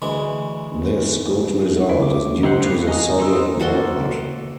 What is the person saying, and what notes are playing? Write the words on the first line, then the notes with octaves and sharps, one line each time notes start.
This good result is due to the Soviet boycott.
D2 E3 G#3
E4
D6
D#4 E4 G4 C5 F#5
A3 B3 F5 F#6
D#5 G#5 A#5 D#6
E3 D#4 C6 E6
A#3 F#4 A4 C6